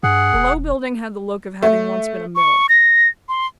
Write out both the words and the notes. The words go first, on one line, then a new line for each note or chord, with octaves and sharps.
The low building had the look of having once been a mill.
G2 G#4 F#5
E1
A3
C#6
A#6
C6